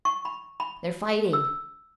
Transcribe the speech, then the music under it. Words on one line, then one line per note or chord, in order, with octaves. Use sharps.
"They're fighting!"
C#6
B5
B5
E6